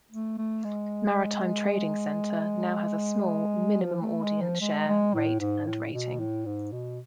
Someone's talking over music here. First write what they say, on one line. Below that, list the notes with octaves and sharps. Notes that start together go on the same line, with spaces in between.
Maritime Trading Center now has a small, minimal audience share, rate, and rating.
A3
A3
G#3
F3
A3
G#3
F3
G#3
G#3
A2
G#2
A2
B2
A2
G#2
B2